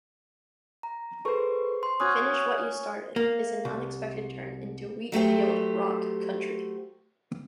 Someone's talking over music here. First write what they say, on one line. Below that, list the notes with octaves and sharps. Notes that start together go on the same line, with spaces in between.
"Finish What Ya Started" is an unexpected turn into wheat-field-rock country.
A#5
G#4 A4 B4 C5 C#6
C6
C#4 F#4 D#6 F#6 G#6
A#3
C2
F#3 A3 G4 C5